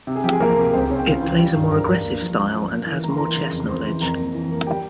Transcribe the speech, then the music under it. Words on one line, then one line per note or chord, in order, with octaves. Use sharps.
It plays a more aggressive style and has more chess knowledge.
C3
G#4
F3 G4
G#4
F3 A#3 A#4
C3
C#2 C4 C5
C#3 C#4 C#5
G5
C#3 F4 F5
E3
G3 F4 F5
G2
G2 A#4 A#5
G2
A#3
F3
C#4
F3
A#3
E3
A#3 A#5
C6
E3 A#4 A#5
C#3
F2
F2 C5 C6
E3
F2 A#4 A#5
A#3
E3
A#3
G3 G4 G5